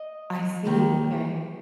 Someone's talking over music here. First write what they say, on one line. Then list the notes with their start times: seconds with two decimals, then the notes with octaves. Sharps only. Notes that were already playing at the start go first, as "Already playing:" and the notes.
I see, okay.
Already playing: D#5
0.65 D#2 D#3